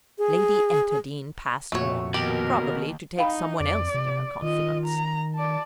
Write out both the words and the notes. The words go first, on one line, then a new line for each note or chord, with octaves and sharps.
Lady Enterdean passed on, probably to take some one else into her confidence.
G#4
F2 A#2 A3 F#4 C#5
D#2 B2 G4 A#4
D#4 F5 G5 B5
F2 D5
C3
D#3 F4 D#5
A#5
D5 A5